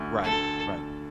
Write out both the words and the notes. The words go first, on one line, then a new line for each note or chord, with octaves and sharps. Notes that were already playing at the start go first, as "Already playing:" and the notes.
Right, right.
Already playing: D2 D3 A3
D2 D3 A3 A4